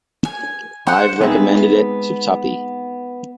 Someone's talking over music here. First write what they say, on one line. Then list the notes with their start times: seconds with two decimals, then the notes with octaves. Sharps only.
I've recommended it to Tuppy.
0.25 G#5
0.87 C5 F#5
1.20 G#3 B3 C4 D#4 G#4 E5